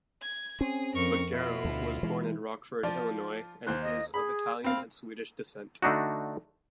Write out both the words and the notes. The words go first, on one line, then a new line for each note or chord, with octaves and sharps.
Leggero was born in Rockford, Illinois and is of Italian and Swedish descent.
G#6
C4 C#4 G#4
F2 A#4 C#6
B2 E4 F4
D2
E3 G#3
F3 F4 D5
D#2 C5 F#6
D#5
G#4 B5
C4 F5 B5
D3 A3 D4 D#4 F#4